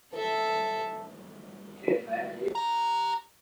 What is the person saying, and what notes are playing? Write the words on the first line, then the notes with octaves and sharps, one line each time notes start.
Brisbane Water National Park is vulnerable to various environmental threats.
A4 E5
G4 A#5